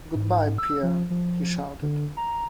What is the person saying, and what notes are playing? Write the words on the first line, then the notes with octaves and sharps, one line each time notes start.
Goodbye, Pierre, he shouted.
G#2
E6
F3
F3
D3
A#5